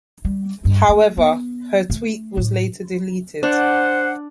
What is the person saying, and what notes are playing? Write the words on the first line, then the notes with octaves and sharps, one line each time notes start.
However, her tweet was later deleted.
G3
G2
A3
B3
A3
A2
D4 C5 F#5